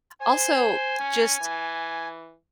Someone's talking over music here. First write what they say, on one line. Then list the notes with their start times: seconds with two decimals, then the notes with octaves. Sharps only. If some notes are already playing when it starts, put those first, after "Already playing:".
Also, just
0.21 C5 G#5
1.00 C#4
1.41 E3